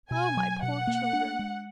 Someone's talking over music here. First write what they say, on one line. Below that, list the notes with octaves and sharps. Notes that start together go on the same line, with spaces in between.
O my poor children!
B2 G#5
F#3
B2 F#5
A#3
D4
G#3